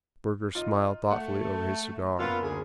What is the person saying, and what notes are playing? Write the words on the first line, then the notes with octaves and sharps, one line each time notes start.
Burger smiled thoughtfully over his cigar.
D#4 F4
A3 F#5
F#1 A#3 B3 F4 E6
D2 G#4